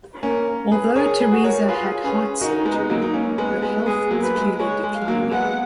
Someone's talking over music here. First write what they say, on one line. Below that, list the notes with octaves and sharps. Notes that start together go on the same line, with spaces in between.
Although Teresa had heart surgery, her health was clearly declining.
A#3 C#4 A#4
G#4 B4
G#4 A#4 C#5
G#4 B4
F#4
A#4 C#5
F4 G#4 B4
C#4 G#4 B4
D#4 F#4 A#4
G#3 B3
F#3 A#3
D#4
A#3 C#4
G#3 B3
G#3 B3
G#3 B3 G#4
F#3 A#3
B4
G#3
G#3 C#5
G#3
F5
F#3 A#3
G#3 B3 F#5